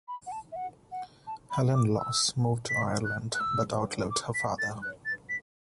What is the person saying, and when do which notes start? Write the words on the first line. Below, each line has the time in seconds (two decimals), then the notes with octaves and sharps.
Helen Laws moved to Ireland but outlived her father.
0.08 B5
0.27 F#5
0.32 A5
0.52 E5
0.56 F#5
0.92 F#5
1.27 A5
1.51 B5
1.75 D6
1.99 E6
2.69 B6
3.05 F#6
3.35 F#6
3.40 E6
4.11 D6
4.35 B6
4.59 A6
4.82 F#6
5.06 A6
5.29 B6